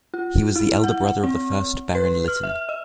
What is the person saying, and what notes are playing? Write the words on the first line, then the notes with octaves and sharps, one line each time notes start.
He was the elder brother of the first Baron Lytton.
F4
E4
F#5
C4
B4
F6
E5
D#5